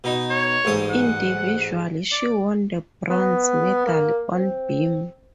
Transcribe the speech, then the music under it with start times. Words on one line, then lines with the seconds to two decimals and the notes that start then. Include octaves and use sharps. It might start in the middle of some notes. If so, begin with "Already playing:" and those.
Individually, she won the bronze medal on beam.
0.04 B2 D#4
0.30 C#5
0.65 A1 G#2 D#6
0.90 F#5
2.12 D5
3.10 B3
3.86 A#3
4.34 C4